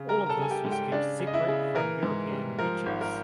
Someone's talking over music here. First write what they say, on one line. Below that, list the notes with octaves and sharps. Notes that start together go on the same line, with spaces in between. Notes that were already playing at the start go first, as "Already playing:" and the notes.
All of this was kept secret from European merchants.
Already playing: C#3
G3 A#4 A#5
A#5
A4 A5
G3 G#5
G4 G5
G#2
G4 G5
C#3 D4 D5
C#3
D#5
E4 E5
C#3
E3 A#4
G#2
G3
F3 A#4
G#1
A#4